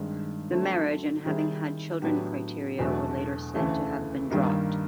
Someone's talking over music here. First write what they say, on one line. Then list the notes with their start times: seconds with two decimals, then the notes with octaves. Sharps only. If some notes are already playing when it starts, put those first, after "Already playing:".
The marriage and having had children criteria were later said to have been dropped.
Already playing: G2 D#3 G#3 C4
0.50 D3 F#3 A3 C4
1.26 D#3 G3 C4 E4 G#4
2.02 A2 F#3 B3 D4 G4
2.79 E2 B2 F#3 A3 D4
3.55 D2 C#3 E3 A3
4.30 G2 D#3 G3 A#3 D#4